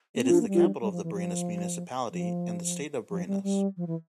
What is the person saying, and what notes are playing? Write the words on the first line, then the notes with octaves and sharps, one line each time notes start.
It is the capital of the Barinas Municipality and the State of Barinas.
A#3
C4
D4
A#3
G3
G3
F3
E3
F3
F3
F3
G3
G3
F3
E3